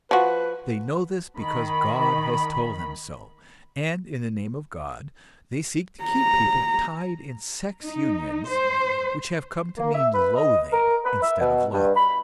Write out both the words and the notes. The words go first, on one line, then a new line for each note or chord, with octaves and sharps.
They know this because God has told them so, and in the name of God they seek to keep people tied in sex unions which have come to mean loathing instead of love.
F3 F#4 B4
D#3 B5
A#5
D#4
C5
A#3
E5
B4
D#5
A#4
B4
E5
B2
G2
B5